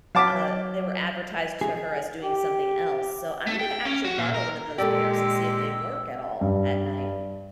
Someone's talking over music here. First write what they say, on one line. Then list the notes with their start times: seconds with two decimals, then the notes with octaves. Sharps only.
Uh, they were advertised to her as doing something else, so, I'm gonna actually borrow one of those pairs and see if they work at all, at night.
0.15 F#3 C#5 F5 A5 D6 B6
1.61 G#4
2.23 G4
3.47 A3
3.60 G5
3.85 C#4
4.05 F#4
4.18 A#2
4.34 A#4
4.78 A#2 G#3 G4 A4 D5 E6
6.41 G2